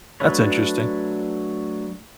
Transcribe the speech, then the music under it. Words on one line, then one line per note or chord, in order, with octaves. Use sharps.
That's interesting.
F#3 A3 D4 B4 C#5